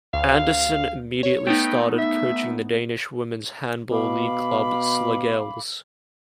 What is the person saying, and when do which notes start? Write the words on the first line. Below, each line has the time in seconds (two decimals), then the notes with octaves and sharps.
Andersen immediately started coaching the Danish Women's Handball League club Slagelse.
0.14 D2 F5
1.23 C#5
1.47 A3 B3 D#4 G5
1.98 E5
3.91 B2 F5 B5 D6